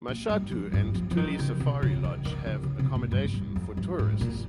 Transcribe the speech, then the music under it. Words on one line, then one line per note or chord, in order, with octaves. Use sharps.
Mashatu and Tuli Safari Lodge have accommodation for tourists.
A#2
G2
F2
G2
F3
F3
D#3
C#3
C3
C#3
D#3
D#3
C#3
C#3
C3
A#2
G2
G2
F2
G2
G#2
A#2